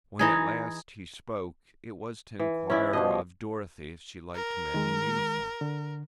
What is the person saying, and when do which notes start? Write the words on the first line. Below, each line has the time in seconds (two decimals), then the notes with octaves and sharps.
When at last he spoke, it was to enquire of Dorothy if she liked men in uniform.
0.19 E3 D#4 G#4
2.39 E3
2.70 C#4 E4 D5
2.93 B2 F3 G3 D#5
4.35 A#4
4.74 D#3 G#3
5.61 D3